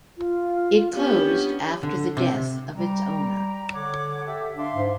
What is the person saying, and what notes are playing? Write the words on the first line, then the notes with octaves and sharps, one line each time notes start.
It closed after the death of its owner.
F4
B3 C#4 D4 G4
D3
C3
G3 G5 A#5
D3 C#5 F#5 D6
G4 A4 E5
D4 E5 F5 C6
G#2